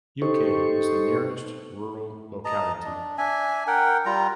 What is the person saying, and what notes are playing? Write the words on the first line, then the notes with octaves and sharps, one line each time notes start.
Uk is the nearest rural locality.
D#4 G4 A4 C5 C#6
D#5 A5 A#5
D4
D4 E5 G#5
A#4 F#5 G5
G3 F4 A#5